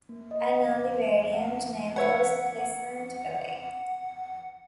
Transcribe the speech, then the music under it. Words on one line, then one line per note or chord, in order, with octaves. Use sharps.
An early variant name was "Pleasant Valley".
A#3
D#5
D6
C5
E5
F#5
B4 C#5 E5 F#5